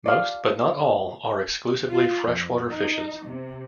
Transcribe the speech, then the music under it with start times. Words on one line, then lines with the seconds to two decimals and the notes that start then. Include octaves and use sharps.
Most but not all are exclusively freshwater fishes.
0.06 D5 F5
1.90 F4
2.28 F2
2.69 D#4
3.27 C3